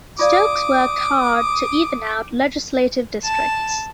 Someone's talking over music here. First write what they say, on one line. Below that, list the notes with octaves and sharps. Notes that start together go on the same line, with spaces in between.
Stokes worked hard to even out legislative districts.
F4 D5 F5 D6 D#6
A5